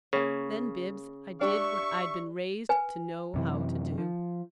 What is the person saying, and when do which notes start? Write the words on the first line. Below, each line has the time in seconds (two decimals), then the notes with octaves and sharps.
Then, Bibbs, I did what I'd been raised to know how to do.
0.13 C#3 A#3 C#5
1.41 D4 G4 E5 C#6
2.69 B4 G#5
3.34 F#2 C3 E3
3.98 F3